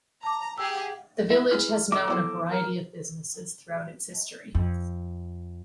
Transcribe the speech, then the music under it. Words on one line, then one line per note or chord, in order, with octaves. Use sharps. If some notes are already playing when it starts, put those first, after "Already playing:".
The village has known a variety of businesses throughout its history.
A5 A#5 D6
G4 G#4 E6
E4 E5
E4 G#4 B4 F6
A4 A#4 D#5 E5 D6
B3 E4 C5
A#4
F2